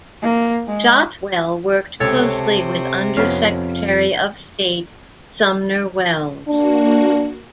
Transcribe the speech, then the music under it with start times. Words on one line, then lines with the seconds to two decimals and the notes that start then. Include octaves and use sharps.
Shotwell worked closely with Under Secretary of State Sumner Welles.
0.22 A#3
0.67 G#3
2.00 C#2 C3 A4 C#5
3.17 F2 B3 C#4 F5
6.48 A#3 D4 F#4